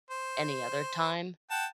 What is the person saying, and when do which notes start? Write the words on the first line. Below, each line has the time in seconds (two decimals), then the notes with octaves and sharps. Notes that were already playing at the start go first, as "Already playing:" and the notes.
any other time.
0.10 C5
1.51 F#5 G5 A5